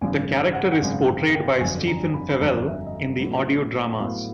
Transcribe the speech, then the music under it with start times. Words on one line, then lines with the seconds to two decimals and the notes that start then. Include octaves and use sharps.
The character is portrayed by Stephen Fewell in the audio dramas.
0.01 G#1 F#2 C#3 G#5
0.55 F#5
0.72 F#5
0.82 G#1 F#2 C#3 F5
1.08 G5
1.35 G5
1.60 G1 F2 D3 F#3 G#5
1.88 A#5
2.14 B5
2.29 B5
2.40 G1 F2 D3 F#3 A#5
2.67 E5
2.87 D#5
2.93 E5
3.20 A2 F#3 B3
3.99 A2 F#3 B3 F5